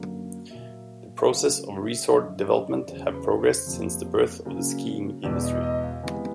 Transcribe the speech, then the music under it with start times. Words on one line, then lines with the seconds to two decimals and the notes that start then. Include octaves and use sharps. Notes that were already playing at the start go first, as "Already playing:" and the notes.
The process of resort development have progressed since the birth of the skiing industry.
Already playing: F#2 D3 F#3 A#3
0.50 A#2 F#3 A#3 E5
1.19 E5
1.30 C#3 F#3 A3 F5
1.83 E5
2.09 F#2 D3 F3 D#5
2.28 E5
2.48 D#5
2.67 D5
2.87 E2 C#3 F#3 C5
3.14 B4
3.40 C5
3.66 F2 C3 F3 A#3
4.45 C#3 F#3 A#3
5.24 E2 B2 G#3 B3 D5
5.44 D#5
5.63 D#5
5.83 F5
6.03 C3 E3 G#3 B3